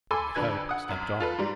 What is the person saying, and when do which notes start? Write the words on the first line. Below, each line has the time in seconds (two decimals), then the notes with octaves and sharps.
The White Hope slept on.
0.11 A4 G#5 B5 C6 D6 E6
0.35 F2 D3 B4 G#6
0.69 F#5 D#6
0.89 C2 F#2
1.20 F4 A4 B4
1.38 G#2 G3